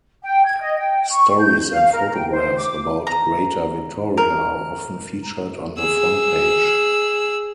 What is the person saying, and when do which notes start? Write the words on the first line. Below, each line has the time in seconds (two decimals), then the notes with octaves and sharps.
Stories and photographs about Greater Victoria are often featured on the front page.
0.23 G5
0.44 G#6
0.60 D#5
0.77 G5
1.11 C#6
1.40 G6
1.71 F5
1.92 A#4
2.14 G5
2.30 C5
2.58 D6
3.07 A#5
4.17 A#4
5.78 G#4 E6